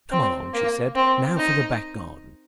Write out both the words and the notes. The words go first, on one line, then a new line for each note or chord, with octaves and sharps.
"Come along," she said; "now for the back garden."
C4
A#3
C4
D#4